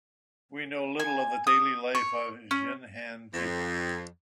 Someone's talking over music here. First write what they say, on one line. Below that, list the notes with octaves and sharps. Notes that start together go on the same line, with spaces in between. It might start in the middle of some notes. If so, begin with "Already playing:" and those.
We know little of the daily life of Jinhan people.
G#5
D#6
C#5
C#4
F2